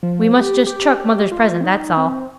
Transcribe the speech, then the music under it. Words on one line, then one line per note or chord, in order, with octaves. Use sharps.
We must just chuck mother's present, that's all.
F3
G4
G4
G4
F4
C4
D#4
C4